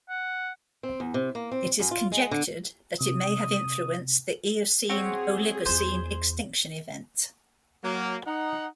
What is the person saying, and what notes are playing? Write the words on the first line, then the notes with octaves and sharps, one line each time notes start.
It is conjectured that it may have influenced the Eocene-Oligocene extinction event.
F#5
C4
E2
C3
A#3
C4
F#2
F4
G#3
D3
C3 D#6
C4 F#4 G#4 C#5
E2 F4 C5
F#3 A#3
D#4 F#5